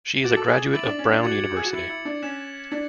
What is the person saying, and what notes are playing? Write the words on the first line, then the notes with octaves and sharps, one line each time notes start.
She is a graduate of Brown University.
F#4 D6 A6 D7 F#7
A4
G#4
E4 D6 A6 D7 F#7
D4
C#4
D4
F#4 G#6 C#7 F#7
G#4
F#4
E4 G#6 C#7 F#7
E4
D4
C#4 F#6 B6 E7
D4 B6 E7